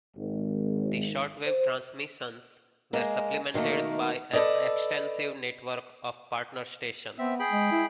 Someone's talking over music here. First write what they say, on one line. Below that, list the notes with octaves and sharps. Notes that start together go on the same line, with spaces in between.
The shortwave transmissions were supplemented by an extensive network of partner stations.
G#1
C5
G#3 A#3
B2 D#3 F3 A3 A#3
A4 B4 D5 D#5
B3 C4 E5
G#4 G5 B5
G#3
E4